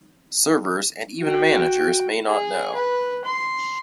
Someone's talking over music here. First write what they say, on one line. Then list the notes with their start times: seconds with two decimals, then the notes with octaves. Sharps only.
Servers and even managers may not know.
1.21 F#4 G5
2.26 G#4
2.74 B4
3.25 C6